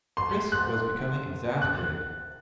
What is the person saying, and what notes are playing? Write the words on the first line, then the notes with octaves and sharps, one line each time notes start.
Chris was becoming exasperated.
C6
F#6
F#6